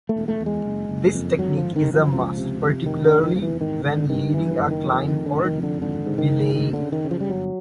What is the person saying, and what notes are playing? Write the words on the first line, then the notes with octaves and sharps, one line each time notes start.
This technique is a must particularly when leading a climb or belaying.
A3
E1
A3
E2
G#3
F#1
F#1
F2
G#1 F#3
F3
G#1
D#3
F#2
F3
C#2 F3
C3
C3
F1 D#3
D3
F1
D#3
E2 F3
E3
G#1 D#3
G#1 D3
G2 D#3
F#1 E3
F#1
D#3
F2
F1 D#3
D3
F1
D#3
F2
D3
G#1 D3
G#2
D#3
G#2
D2 D#3
D3
C#3
D#3
C#3
F3
G3
G1 F#3